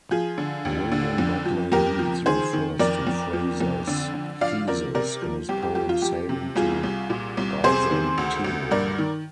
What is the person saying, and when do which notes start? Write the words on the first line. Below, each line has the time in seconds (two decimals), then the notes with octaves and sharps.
William Butler Yeats refers to Frazer's thesis in his poem "Sailing to Byzantium".
0.11 F3 F4 G#4
0.38 D3
0.65 D#2
0.92 D3
1.18 F2
1.45 F3
1.72 F2 G4 A#4
1.99 F3
2.26 D#3 G#4 C5
2.53 D#3
2.79 F2 A#4 D5
3.07 F2
3.33 F3
3.60 F2
3.87 D3
4.14 D3
4.41 F3 D5 F5
4.68 F3 A#4 D5
4.95 C3 A#4 D5
5.22 F3
5.49 C2 G4
5.62 G4
5.75 F3 G4
5.89 F4
6.02 F3 G4
6.29 C3
6.56 C2 F4 G#4
6.83 C2
7.10 A#2
7.37 C2
7.64 C3 G#4 C5
7.91 D#3
8.18 D2
8.44 D2
8.71 G2 A#4 D5
8.98 D#3